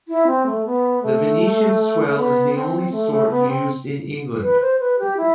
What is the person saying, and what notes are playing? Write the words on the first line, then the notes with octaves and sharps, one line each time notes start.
The Venetian swell is the only sort used in England.
E4
C4
A3
B3
A3
A3
B3
C4
A3
A3
B3
C4
B4
C5
B4
G4
E4